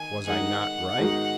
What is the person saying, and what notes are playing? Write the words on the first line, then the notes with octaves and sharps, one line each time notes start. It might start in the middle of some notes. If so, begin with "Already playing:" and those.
Was I not right?
Already playing: D#3 D#4 G#5
D#3 G#3 D#4 F#5
G#2 D#3 G#3 D#4 F#4